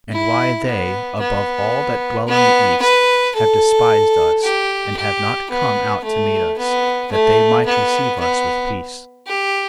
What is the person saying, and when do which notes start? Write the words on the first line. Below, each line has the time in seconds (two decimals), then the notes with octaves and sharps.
And why they above all that dwell in the east, have despised us, and have not come out to meet us, that they might receive us with peace?
0.12 E4
0.67 B3
1.20 B3
2.27 B3
2.82 B4
3.35 A4
4.43 G4
4.96 G4
5.50 B3
6.04 A3
6.58 B3
7.12 A3
7.65 B3
8.19 B3
9.27 G4